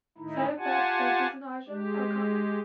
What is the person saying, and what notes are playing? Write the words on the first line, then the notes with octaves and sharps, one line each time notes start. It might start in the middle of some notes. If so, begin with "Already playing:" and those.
Side effects such as nausea are common.
A2 D#3 D#4 E4
F4 G4 F#5 G#5 A5
G#3 G4